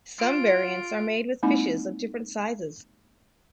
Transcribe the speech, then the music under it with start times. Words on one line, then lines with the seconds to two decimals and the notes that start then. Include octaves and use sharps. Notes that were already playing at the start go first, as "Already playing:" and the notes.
Some variants are made with fishes of different sizes.
0.19 F4 D7
1.43 G#3 A#3 C4 D#4 E4